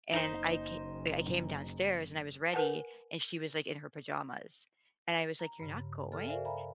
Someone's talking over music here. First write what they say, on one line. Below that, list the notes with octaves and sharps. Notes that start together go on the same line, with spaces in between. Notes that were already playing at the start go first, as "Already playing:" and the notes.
And I ca I came downstairs, and I was ready, and she was, like, in her pajamas, and I was, like, "You're not going?"
F#1 D#4 C5
A#4 B4 F#5 G#5 A5
A#5
G2 C#3
A4 F6
A#4 C5 D5 E5 F5 G#5
E5 F5 G#5 A#5 B5